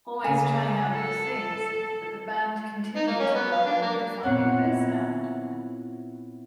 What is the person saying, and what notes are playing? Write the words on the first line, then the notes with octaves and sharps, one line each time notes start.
Always trying out new things,but the band continued to work on redefining their sound.
C#3 A#3 G#5
A4
D#4
A#3
C#4
B3
F5
D4
A#3
A#2 B3 C4 C#5 F#5
E4